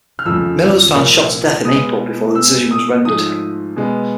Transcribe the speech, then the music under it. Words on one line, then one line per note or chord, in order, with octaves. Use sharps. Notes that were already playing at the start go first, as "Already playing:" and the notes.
Miller was found shot to death in April, before the decision was rendered.
F6
F2 C#3 F3 A3 E6
C2 A#2 F3 A#3
B2 G#3 B3 D#6
B2 G#3 B3 E6
D#6
G#2 F3 A3 D#6
B2 G#3 B3